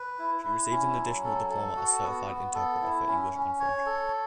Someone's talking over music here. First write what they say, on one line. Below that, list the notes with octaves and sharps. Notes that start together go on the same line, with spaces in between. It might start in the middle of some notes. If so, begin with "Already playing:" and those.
She received an additional diploma as certified interpreter for English and French.
Already playing: B4
E4
E4
C#4
F#3
A4
A4
F#4
B3
B3
A4
E4
C#4
C#4
C#5
A4